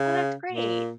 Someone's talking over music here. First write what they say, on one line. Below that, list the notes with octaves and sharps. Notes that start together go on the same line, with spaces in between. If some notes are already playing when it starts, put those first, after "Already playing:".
Well, that's great.
Already playing: C#3
A#2